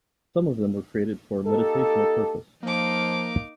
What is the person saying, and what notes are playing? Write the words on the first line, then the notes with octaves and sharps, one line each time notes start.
Some of them were created for meditational purpose.
A#3 D#4 G4 A4
F3 A#3 D#4 D6